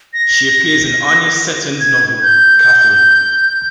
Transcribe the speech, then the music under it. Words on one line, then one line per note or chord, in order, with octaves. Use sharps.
She appears in Anya Seton's novel, "Katherine".
A#6
G#6
G6